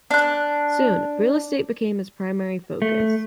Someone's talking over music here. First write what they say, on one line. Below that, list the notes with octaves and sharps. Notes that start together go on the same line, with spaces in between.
Soon, real-estate became his primary focus.
D4 F#6
A3